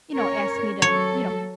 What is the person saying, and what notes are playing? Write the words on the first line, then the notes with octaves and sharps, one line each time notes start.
you know, ask me to, you know,
C#4 A#4 C#5
F#3 A4 C#5